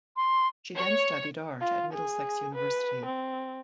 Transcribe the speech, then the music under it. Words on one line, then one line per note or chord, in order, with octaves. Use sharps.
She then studied art at Middlesex University.
C6
C#5
F4
G#4
B4
C4